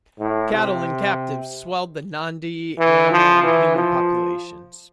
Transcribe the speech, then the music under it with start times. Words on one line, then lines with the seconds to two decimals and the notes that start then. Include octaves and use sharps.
Cattle and captives swelled the Nandi animal and human populations.
0.20 A2
0.52 C3
2.79 E3
3.12 F3
3.44 E3
3.76 F3